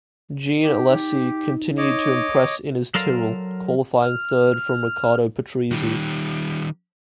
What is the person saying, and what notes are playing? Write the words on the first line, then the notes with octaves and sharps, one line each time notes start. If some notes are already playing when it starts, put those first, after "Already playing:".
Jean Alesi continued to impress in his Tyrrell, qualifying third from Riccardo Patrese.
D#4 G4
D#4
C#5 D#5 D6
F#3 A4 A#4 C5 D5 F5
F6
D#3 G3